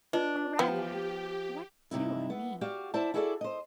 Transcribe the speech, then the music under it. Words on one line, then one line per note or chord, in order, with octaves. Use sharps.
Or, rather, what do I mean?
D4 F4 B4 D#5
F3 B3 G4 G5
G2 C3 D#4 E4
B3
F#4 G4 D5 F5
E4 C5 D5 E5 A5
E4 F#4 G#4 A4 B4 D5
C5 D#5